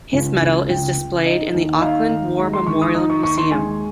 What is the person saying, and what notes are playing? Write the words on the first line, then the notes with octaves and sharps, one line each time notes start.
His Medal is displayed in the Auckland War Memorial Museum.
C#2
C#2
C#2 G5
C#3
D#4 D#5
D#2
D#4 F5
D#2
G#3 A#5
C6
D#3 C#6
D#6
D#4 D#6
C#6
D#2 C#6
C6
G#3 G#5